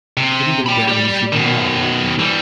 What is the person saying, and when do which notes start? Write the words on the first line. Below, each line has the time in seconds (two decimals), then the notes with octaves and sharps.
But even then we should not love them.
0.17 C3
0.66 G5 B5
0.88 G4 D5
1.32 B2 D#3
2.19 E3 G3